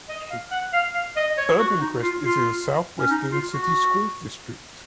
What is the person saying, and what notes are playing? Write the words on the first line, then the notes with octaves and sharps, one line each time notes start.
Urbancrest is in the South-Western City Schools District.
D#5
F5
F#5
F5
F5
D#5
C#5
F#4
D#4
F4
F4
C#4
D#4
F4
F#4